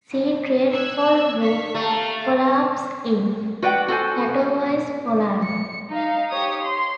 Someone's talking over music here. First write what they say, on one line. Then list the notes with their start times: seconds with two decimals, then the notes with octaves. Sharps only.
See Trade hall roof collapse in Katowice, Poland.
0.71 E6 F#6 G#6
1.40 F5 C#6 B6
1.75 A3 G4 F5 A#5
3.62 F#4 B4 D5 F#5 G5
3.88 F#4 A4 C5 G#5
5.45 C#7
5.90 D#4 F5
6.29 G4 C#5 D#6
6.61 C6